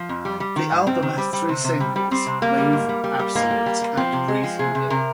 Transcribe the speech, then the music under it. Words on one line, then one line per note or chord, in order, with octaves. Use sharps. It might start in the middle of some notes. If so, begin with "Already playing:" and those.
The album has three singles: "Move", "Absolute" and "Breathe You In".
Already playing: F3
F2
G3
G3
D#3
G#2
G#2 C4
D#3
G3
G3
C3
C3
G3
G3
G3 C4
C3
G3 A#3
G3
G#2
G3
G3
G3
G#2 A#3
G3
G3
G3
F3 C4
C3
G#3
F3
C3 G#4
C3
C3 A#4